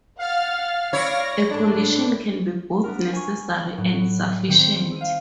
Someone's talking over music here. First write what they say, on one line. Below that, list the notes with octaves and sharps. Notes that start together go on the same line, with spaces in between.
A condition can be both necessary and sufficient.
F5 F#5 F6 A6
E4 C#5 D5 C#6 A#6
A2 D3 D4
B3 D4 A#4
G#5 C#6
A2 F#3 E4
D#3 G3 C4 C5
F5 D#7